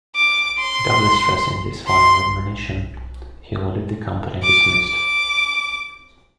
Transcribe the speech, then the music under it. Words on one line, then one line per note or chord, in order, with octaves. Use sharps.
Doubly stressing this final admonition, he ordered the company dismissed.
D6
C6
C6
D6
D6